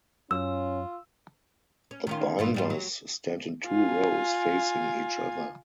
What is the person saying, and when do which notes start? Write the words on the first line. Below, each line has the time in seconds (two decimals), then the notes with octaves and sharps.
The binders stand in two rows facing each other.
0.31 F#2 C#4 F4 E6
1.91 C#4
2.07 D#3 C#4 F4
2.39 G#2 E3 F4
2.54 G#2 G3 F4
2.70 F#3
3.67 F4 G#5